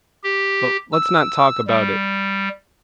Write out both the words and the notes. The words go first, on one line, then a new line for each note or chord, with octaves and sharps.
But let's not talk about it.
G4
E6
G3